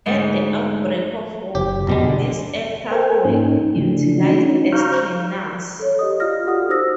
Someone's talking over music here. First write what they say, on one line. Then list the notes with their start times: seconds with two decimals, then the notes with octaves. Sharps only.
At the outbreak of war, these aircraft were utilised as trainers.
0.06 D2 G#2 G#3
1.55 F#1 G4
1.87 F1 A#1 B2 G3 G#3 B3
2.02 D3
2.91 A4 A#4 C5 G5 G#5
3.25 G#2 A#3 C#4 D#4
3.76 C#3 E3 F3 A3 D4
4.18 C#4 D#4 F#4
4.72 C5 F5 A#5 C#6 F6 G6
5.79 A4 C#5
5.99 G4 D#5 D#6
6.20 F4 D5 F5 F6 A#6
6.45 F#4 G4 A4 F#5 D#6 F6
6.69 D#4 F#4 C5 D#6 E6 A#6